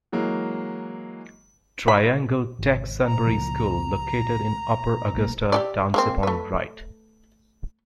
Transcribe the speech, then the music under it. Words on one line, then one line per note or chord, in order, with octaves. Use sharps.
Triangle Tech Sunbury School located in Upper Augusta Township on Rt.
E3 F#3 G#3 A#3
B5
G#1
A#5
C#2 A#2 F3
B1 A#3
G4 A4 D5
G#3 A#3 C4
A3 B4